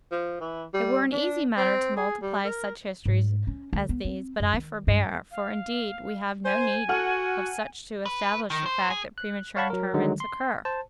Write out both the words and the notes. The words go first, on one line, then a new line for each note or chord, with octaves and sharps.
It were an easy matter to multiply such histories as these--but I forbear--for, indeed, we have no need of such to establish the fact that premature interments occur.
F3
E3
G3
D4
C4
G#4
G3
A#4
G#2
C#4
D2
B3
C4
F#2
D#3
G2
F5
C5 G#5
F#4 A4 F#5 F6
B4
D#3
C5
G#4
F#6
C#5 F5 F#5 A5 B5 C#6
F#3 A#4
D3 D#3 F#3 G#3
C6
C5 A5